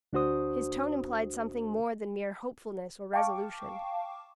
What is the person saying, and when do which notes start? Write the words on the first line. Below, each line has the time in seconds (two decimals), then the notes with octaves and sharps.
His tone implied something more than mere hopefulness or resolution.
0.13 D2 D4 F#4 C5 D#6
3.13 F5 G5 A5 C#6 D6